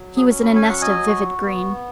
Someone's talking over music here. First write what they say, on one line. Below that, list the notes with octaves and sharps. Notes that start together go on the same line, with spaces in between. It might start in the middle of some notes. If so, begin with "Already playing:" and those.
He was in a nest of vivid green.
Already playing: F#3
G#4
C#4
B5
G#5
F#3 F#5
D#5 G#5
F#4
B3